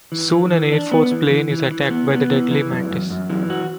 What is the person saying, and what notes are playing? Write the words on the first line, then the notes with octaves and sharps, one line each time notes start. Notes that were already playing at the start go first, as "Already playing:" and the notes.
Soon an Air Force plane is attacked by the deadly mantis.
E3
E3
E3
D4
B3
E3
E3
E3
E3
B3
B3
E3
E3
F#2
F#2
F#2
E3
F#4